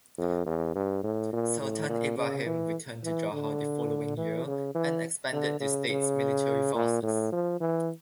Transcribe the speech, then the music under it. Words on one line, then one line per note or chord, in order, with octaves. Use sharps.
Sultan Ibrahim returned to Johor the following year, and expanded the state's military forces.
F2
E2
G2
A2
A#2
A2
A#2
C#3
E3
E3
D3
E3
C#3
E3
D3
C#3
C#3
A#2
A2
F3
E3